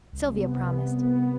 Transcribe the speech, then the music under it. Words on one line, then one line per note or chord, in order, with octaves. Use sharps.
Sylvia promised.
C2
B3
C2
C2
B3